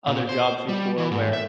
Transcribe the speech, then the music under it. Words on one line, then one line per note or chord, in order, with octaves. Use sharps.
other jobs before where
A#2
C5
G3
E3
G#2
E5